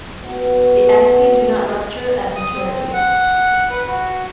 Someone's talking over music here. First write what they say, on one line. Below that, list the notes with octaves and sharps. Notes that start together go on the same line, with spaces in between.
The asci do not rupture at maturity.
B3 F#4
D#6
C4
F#5
B4
F#4